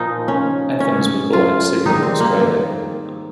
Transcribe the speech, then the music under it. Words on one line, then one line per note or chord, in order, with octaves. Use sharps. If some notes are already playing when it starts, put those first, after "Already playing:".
Evans was born in Sydney, Australia.
Already playing: A#2 F3 D#4 F4
C#4
C#4
F4
G#2 D#3 G3 D#4
C4
A#3